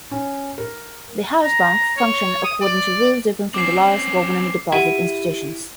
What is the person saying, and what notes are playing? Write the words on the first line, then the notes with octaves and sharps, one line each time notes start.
The House Bank functioned according to rules different from the laws governing deposit institutions.
C#4
A#4
A#5
C#5
D#6
D5
C4 C#4 D6 C7
E4 G4 F#5 D#7